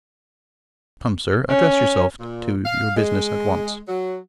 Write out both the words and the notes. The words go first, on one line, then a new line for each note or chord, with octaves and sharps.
Come, sir, address yourself to your business at once.'
C#4
A#2
F5
G#3
F#3